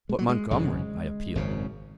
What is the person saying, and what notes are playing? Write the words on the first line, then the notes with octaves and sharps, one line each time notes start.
"But, Montgomery," I appealed.
G#3
F#3
G#3
G#1 F#2 C#3 G#3
G#1 F#2 C#3